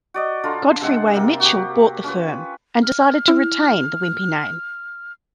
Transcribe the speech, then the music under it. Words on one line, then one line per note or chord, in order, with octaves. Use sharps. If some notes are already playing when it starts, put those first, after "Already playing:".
Godfrey Way Mitchell bought the firm and decided to retain the Wimpey name.
F#4 D5 D#5
D3 F4 A#5 C6
C3 G#3 C4 F#5
C3 A#3 G5
F#4 G4
C#4 F4 B4
F6
E4